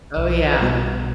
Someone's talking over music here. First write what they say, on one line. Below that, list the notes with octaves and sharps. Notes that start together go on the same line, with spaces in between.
Oh, yeah.
B1
B2 G3 B3 F#4